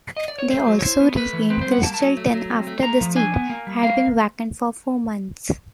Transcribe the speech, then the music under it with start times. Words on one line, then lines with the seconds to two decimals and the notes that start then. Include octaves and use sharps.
They also regained Christleton after the seat had been vaccant for four months.
0.17 D#5
0.28 D5
0.38 C#5
0.50 A3 C5
0.67 F#3
0.79 C#5
0.83 E4 C5
1.01 B3
1.17 A3 B4
1.33 E3
1.50 C4 B4
1.61 C5
1.67 G3
1.72 F#5
1.83 A#3 A5
1.94 A5
2.01 F#3
2.17 A3
2.34 F#3
2.50 C4
2.67 A3
2.83 A3 A#5
3.01 F3
3.16 D4 G#5
3.34 B3
3.50 A#3
3.67 G3
3.83 A#3 F5